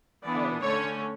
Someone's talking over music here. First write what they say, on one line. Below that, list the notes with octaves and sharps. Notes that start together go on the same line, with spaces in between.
Oh, yeah.
E3 B3 D4 D5
D3 A3 C#4 C#5